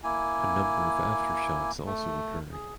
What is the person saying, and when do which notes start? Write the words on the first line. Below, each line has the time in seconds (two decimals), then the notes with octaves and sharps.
A number of aftershocks also occurred.
0.04 A#3 E4 G#5
1.86 A3
2.52 G#4